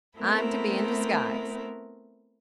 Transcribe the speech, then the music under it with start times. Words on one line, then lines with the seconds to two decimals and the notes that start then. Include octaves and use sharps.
I'm to be in disguise.
0.19 A3 B3 C4 E4 A#4